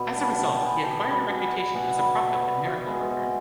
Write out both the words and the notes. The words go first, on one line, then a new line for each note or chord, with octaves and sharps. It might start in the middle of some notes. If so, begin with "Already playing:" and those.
As a result, he acquired a reputation as a prophet and miracle worker.
Already playing: B2 B3 D5
G3 G5 A5
B2 G5 A5
B3 F#5 G#5
B2 G5 A5
G3
B2 F#5 G#5
B3
B2 F#5 G#5
G3
B2
B3
B2 E5 F#5
G#3
B2